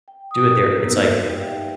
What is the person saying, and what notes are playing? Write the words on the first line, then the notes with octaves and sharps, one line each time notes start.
do it there, it's like,
G5
D#6
A#3 B3 D#4 F#4 A#4 E6
E5
D#4 G4 F5 G5